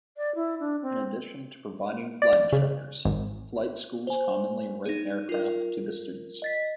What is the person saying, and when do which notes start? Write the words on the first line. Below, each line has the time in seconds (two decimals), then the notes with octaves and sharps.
In addition to providing flight instructors, flight schools commonly rent aircraft to the students.
0.17 D5
0.35 E4
0.60 D4
0.82 C4
2.22 D5
2.52 C#3
3.05 G#1
4.07 C5 G#5
4.85 D#4 G#4
5.29 F4 A#4
6.42 D#5 A6 B6